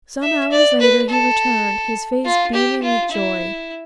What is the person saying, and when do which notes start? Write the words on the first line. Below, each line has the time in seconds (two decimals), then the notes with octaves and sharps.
Some hours later he returned, his face beaming with joy.
0.22 E5
0.51 D5
0.80 B4
1.09 A4
2.25 F4
2.54 G4
2.83 F4
3.11 E4